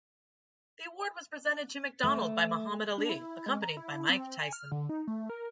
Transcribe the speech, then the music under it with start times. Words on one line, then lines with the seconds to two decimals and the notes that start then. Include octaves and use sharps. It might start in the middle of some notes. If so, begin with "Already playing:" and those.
The award was presented to McDonald by Muhammad Ali accompanied by Mike Tyson.
2.03 A3
2.98 D4
3.09 E4
3.46 G#3
3.62 A#5
3.77 E4
4.09 C4
4.39 G#5
4.53 F6
4.72 D3
4.89 D#4
5.07 A3
5.29 A#4